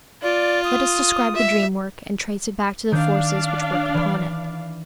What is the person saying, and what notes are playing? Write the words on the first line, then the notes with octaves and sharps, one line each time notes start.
Let us describe the dream work and trace it back to the forces which work upon it.
F4 D5
D#6
E5
D#3 D4 D5 F5 G6
E3